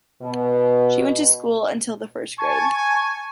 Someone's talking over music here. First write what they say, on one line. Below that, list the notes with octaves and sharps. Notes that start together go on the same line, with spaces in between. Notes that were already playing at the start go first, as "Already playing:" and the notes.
She went to school until the first grade.
B2
G#5 A5 C#6